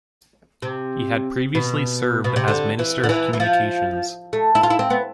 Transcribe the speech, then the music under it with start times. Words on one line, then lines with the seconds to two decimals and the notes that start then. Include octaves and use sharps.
He had previously served as Minister of Communications.
0.62 C3
1.55 B2
2.24 B2
2.36 C3
2.48 D3
2.79 E3
3.04 D3
3.09 E3
3.33 E3
3.40 F3
4.33 A3
4.55 E4
4.63 F4
4.70 E4
4.79 C4
4.90 B3